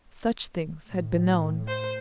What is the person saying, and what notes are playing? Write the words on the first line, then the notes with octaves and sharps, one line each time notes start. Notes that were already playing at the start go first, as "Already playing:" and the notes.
Such things had been known.
A2
C5